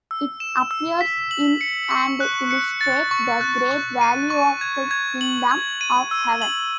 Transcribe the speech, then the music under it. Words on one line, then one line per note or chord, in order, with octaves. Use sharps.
It appears in and illustrates the great value of the Kingdom of Heaven.
E6
E7
E6
B6
F#7
C#7
C#6
F#6
C#7
A6
C#6
F#6
C#6
D#7
C#6
G#6
G#6
F#7
G#6
D#7
E6
F#7